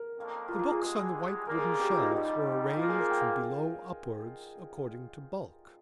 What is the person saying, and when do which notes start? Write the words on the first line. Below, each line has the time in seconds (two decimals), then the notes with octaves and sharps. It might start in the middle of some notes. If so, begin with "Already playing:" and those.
The books on the white wooden shelves were arranged from below upwards according to bulk.
Already playing: A#4
0.16 F2 D#3 A#3 D4
0.49 F4
0.59 F4
0.71 G#4
0.82 G2 D3 G#3 G#4
1.47 G2 D#3 G3 A#3 A#4
1.58 G#4
1.80 G4
1.90 F4
2.02 D#4
2.12 A#1 G#2 G3 D#4
2.77 A#2 F3 A#3 F4
2.88 G#4
2.99 A#4
3.10 G5
3.21 F5